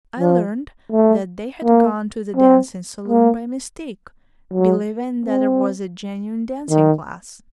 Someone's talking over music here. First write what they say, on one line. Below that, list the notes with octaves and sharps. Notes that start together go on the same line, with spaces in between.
I learnt that they had gone to the dancing saloon by mistake, believing that it was a genuine dancing class.
F3
A3
A#3
C4
A#3
F#3
C4
D#3